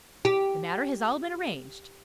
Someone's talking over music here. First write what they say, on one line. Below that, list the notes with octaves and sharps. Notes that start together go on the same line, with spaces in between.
The matter has all been arranged.
G4